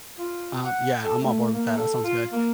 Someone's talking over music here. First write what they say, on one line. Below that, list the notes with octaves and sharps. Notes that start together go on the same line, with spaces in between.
Um, yeah, I'm on board with that, that sounds good.
F4
F#5
A4
A3
A#3
A4
F4
A#3